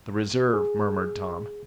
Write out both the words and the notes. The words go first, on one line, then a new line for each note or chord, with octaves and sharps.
"The reserve," murmured Tom.
G#4